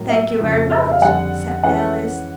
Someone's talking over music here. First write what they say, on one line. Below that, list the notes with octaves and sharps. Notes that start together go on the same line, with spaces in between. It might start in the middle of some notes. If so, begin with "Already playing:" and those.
'Thank you very much,' said Alice.
Already playing: A2 F#3 A#3
E5
F2 C#3 F3 A3
E5
E5
F5
F2 D3 G3 F#5
E3 G#3 C#4 F#5